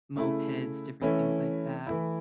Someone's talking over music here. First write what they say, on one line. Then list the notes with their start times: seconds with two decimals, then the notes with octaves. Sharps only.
mopeds, different things like that.
0.16 C#3 A3 E4
1.01 E3 A3 C#4 E4
1.87 E3 A3 E4